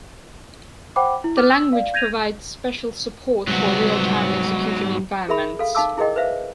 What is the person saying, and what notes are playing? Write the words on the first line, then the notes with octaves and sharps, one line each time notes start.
The language provides special support for real-time execution environments.
C5 F#5 G5 B5 D6
E4
D6 F6
E6
D5 F5
G6 G#6 A#6 D#7 F7
G#2 C3 F#3 G3 B3
G#4 A#4 E5 B5
A4 F5
D#4 F5 A5 D6 E6
E4 G#4 A#4 D#5 G5
B4 C5 E5 F5